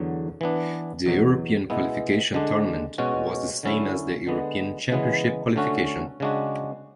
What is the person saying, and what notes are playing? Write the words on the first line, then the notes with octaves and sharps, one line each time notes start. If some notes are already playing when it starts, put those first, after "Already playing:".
The European qualification tournament was the same as the European Championship Qualification.
Already playing: E2 D3 F#3
E3 B3 D4
E2 B2 F#3
B2 G#3 B3 E4
D3 G#3 D4
B2 G#3 C#4 F#4
D3 F#3 C#4 E4
D3 G#3 B3
C#3 E3 G#3 B3
D3 A3 C#4 F#4
C#3 G#3 D4 F#4